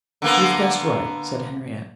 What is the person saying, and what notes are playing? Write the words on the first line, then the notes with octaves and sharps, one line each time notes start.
"You've guessed right," said Henriette.
D3 A#3 B3